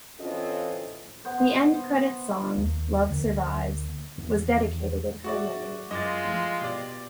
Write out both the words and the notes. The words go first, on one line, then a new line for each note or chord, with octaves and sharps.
The end credits song "Love Survives" was dedicated in her memory.
E3 C4 C#4 F4 A4 D#5
B3 C5
D#2 A#3
D2 D3 E3 A#3
E2 D#3
F#4 G#4 D5 E5 C#6
F#2 G#3 F4 D#5 D6 A6
F3 A3 A#6
B2 G4 D5